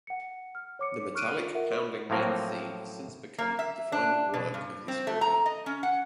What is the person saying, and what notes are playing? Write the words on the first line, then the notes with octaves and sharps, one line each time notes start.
The metallic, pounding main theme has since become the defining work of his career.
F#5 C#7
F6
C#5 D6 C#7
C#6 F6 F#6 D7 D#7
F4
A#4 E5 F#5
A2 F3 F#3 A#3 C4 A#4
A#3
E5
D4
B2
G2
C4
A3
A#5
D#5
C#4
F#5